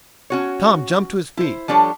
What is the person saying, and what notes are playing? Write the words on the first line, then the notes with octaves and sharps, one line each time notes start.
Tom jumped to his feet.
C#4 F#4 C#5
E4 C5
F3 G3 D4 A4 C#5